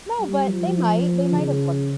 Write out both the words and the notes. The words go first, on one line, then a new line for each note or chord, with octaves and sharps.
No, but they might they might’ve look
G3
F3
C#3